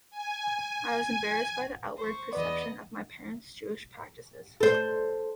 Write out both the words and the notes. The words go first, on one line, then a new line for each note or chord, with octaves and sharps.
I was embarrassed by the outward perception of my parents' Jewish practices.
G#5
G#5
C5 C#6
E2 B3 B4 D5 D#5
A4 C5